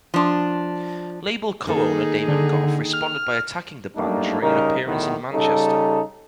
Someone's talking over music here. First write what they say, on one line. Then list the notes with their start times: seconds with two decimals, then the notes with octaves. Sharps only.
Label co-owner Damon Gough responded by attacking the band during an appearance in Manchester.
0.14 F3 D4
1.67 D#3 A#3 D#4 G#4 A4
2.28 D3
2.93 F6
3.96 F#2 G3 A3 A#3 D4 D#4
4.41 C#3 G3 D#4 A#4
4.86 B1 E2 A2 D#3 B3
5.33 C#3 G3 D#4 A4